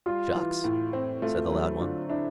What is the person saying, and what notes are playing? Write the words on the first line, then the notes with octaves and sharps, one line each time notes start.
"Shucks!" said the loud one.
G3 F4
E3
A2
C4
A3 F4
F4
F#3 E4
E4
D3 F4
D4 E4